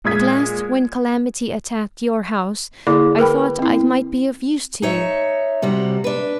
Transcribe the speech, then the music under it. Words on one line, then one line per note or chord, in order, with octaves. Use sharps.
At last, when calamity attacked your house, I thought I might be of use to you.
A#2 G#3 D#6 G#6 B6
D3 A#3 E4 G#4 D5 D6
A#4 B4 G5 B5
C4 E4
D#4 C#5 E5
C3 G3 F#4
D4 B4